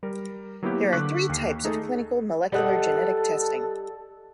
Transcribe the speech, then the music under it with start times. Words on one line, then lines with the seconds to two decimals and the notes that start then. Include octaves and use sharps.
There are three types of clinical molecular genetic testing.
0.03 G3 A#4
0.63 F#3 A#3 B3 E4 F#4 G4
0.92 D3 C#6 D6 F#6 B6
1.29 D#2 C7
1.64 A3 D#4 G#4 A4
2.52 G3 A4 D#5 F#5